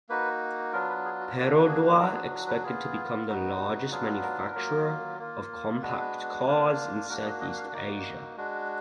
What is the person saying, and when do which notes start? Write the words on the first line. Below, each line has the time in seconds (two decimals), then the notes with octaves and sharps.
Perodua expected to become the largest manufacturer of compact cars in South-East Asia.
0.09 A#3 D#4 F#4 B4
0.72 F#3 B3 D4 F4 A#4
0.89 B4
1.05 G#4
1.20 F#4
1.36 A#3 D4 F#4
1.69 G#4
2.00 F#3 D4 F#4 A#4
2.15 G#4
2.48 B4
2.63 B3 F4 G#4
3.27 B3 D#4 F#4
3.91 F#3 B3 D4 F4 G#4
4.06 G#4
4.23 A#4
4.39 A#4
4.55 F#3 A#3 F4
5.19 A#3 F4
5.82 G#3 B3 D4 F#4 B4
6.45 A#3 D4 F4
7.09 A#3 D4 F#4 A#4
7.25 D#5
7.41 D#5
7.57 F5
7.73 A#3 D#4 F#4 D5
8.37 G#3 D4 F#4